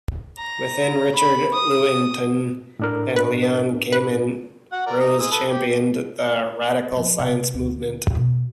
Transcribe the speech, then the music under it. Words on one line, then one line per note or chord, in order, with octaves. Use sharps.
With Richard Lewontin and Leon Kamin, Rose championed the "radical science movement".
A#5
B5
D#6
A2 D4 A#4
B4
B4
F#4 F#5
A#4 D5
D#5 A#5
G#3 D#6 E6
A4 B4
G4
F3 C4
C3
D2
B2